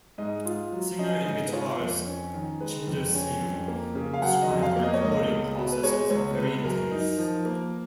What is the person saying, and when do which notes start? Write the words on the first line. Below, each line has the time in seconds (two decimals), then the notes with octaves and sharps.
Singer and guitarist Tjinder Singh described the recording process as very intense.
0.18 G#2 D#5
0.45 F4
0.72 F#3
0.99 C#4 D#5
1.26 G#2 D#5
1.47 B4
1.52 F4 C#5
1.80 F2
2.07 C#4
2.34 D#3
2.60 G#3 B4
2.87 F2
3.14 C#4
3.42 F2
3.68 A#3
3.95 C#3
4.13 F5
4.22 F#3 F#5
4.42 D#5
4.49 F2
4.62 F5
4.76 A#3
4.83 D#5
4.94 C#5
5.03 C#2 D#5
5.30 C#2
5.57 B2
5.72 B4
5.83 G#3 C#5
6.10 C#2 C#5
6.37 C#2 B4
6.64 F#2 A#4
6.92 D#4
7.18 F3
7.45 A#3